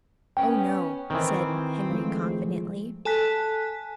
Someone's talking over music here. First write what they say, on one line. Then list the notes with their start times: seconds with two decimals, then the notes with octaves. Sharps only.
"Oh, no," said Henry confidently.
0.37 B3 C#4 G5
1.10 D#3 E3 C4
1.90 F3 G#3 A3
3.05 A4 G#5 A5 F#6 B6